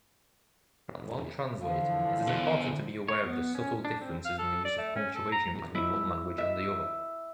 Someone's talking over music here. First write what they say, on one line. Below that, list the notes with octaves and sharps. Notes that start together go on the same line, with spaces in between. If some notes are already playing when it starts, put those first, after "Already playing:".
While translating, it is important to be aware of the subtle differences in the use of punctuation between one language and the other.
D3 E3 F3 F5
E2
C#5
B3
C#4
D4
C4
F5
A4
D5
A3
C#4
A4
A#5
E4
E5